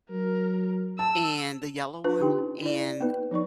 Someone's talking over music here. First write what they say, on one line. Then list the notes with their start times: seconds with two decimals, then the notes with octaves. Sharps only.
and the yellow one, and
0.10 F#3 A#4
0.99 A5 E6
2.04 D4 F4 B4
2.20 D3 D#4 G4 G5 C6
2.38 C#4
2.62 E4 D5
3.00 A#3 B3 D#4 B4
3.31 F3 D#4 D5 C#6